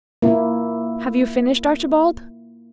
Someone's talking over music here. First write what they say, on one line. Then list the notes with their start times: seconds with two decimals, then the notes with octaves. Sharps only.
"Have you finished, Archibald?"
0.22 A#3 E4